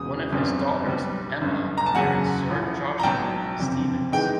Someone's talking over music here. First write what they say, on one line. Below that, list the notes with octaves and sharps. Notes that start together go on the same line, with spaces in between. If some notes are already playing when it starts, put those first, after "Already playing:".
One of his daughters, Emma, married Sir Jocelyn Stevens.
Already playing: E1 E2 C#3 D#6
G1 F#2 D3 G3 C4
B1 B2 G3 B3
G1 F#2 D3
A#5
A5
F#1 E2 C#3 F#3 F#5 G#5
A1 A2 F3
A#5
B1 B2 F#3 G5 A5
F#1 F2 C3
E3 G#3 B3 D#4 G5